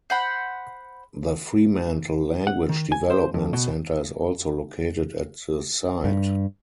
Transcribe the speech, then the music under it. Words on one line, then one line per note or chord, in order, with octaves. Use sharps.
The Fremantle Language Development Centre is also located at the site.
C5 F#5 B5
F#5
D#3
G#5
C5
F2
B2
G2